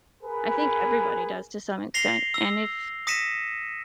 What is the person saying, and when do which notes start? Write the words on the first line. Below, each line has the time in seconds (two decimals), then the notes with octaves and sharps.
I think everybody does to some extent, and if
0.23 G#4 A#4 B4
1.94 A#6 C7 F7 G7
2.34 E6
3.07 D#6 A#6 B6 C#7 D#7 E7